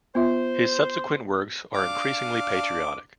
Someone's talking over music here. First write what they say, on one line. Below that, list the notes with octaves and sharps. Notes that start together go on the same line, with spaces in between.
His subsequent works are increasingly patriotic.
B3 F4 C5 E5
D4 F5 D6